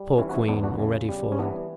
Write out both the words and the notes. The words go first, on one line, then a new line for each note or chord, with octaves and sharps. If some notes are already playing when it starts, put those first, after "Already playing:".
Poor queen, already fallen!
Already playing: G3
E3 C#4 E4
F#4
C#4 E4
E2 B3 D4
D4 F#4
C#3
G3
C#4
E3 B3 D4